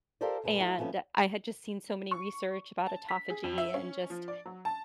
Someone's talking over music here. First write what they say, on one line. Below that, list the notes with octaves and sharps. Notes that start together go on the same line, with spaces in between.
And, I had just seen so many research about autophagy, and just
F4 G4 A4 A#4 C5 D5
F2 A#2 G#3 B4
A3 E4 F#4
E3 F3 A3 B3 C#4
C#6
A5
B6
G#4
F2
E5
C#4
F3
D5
F#3
A5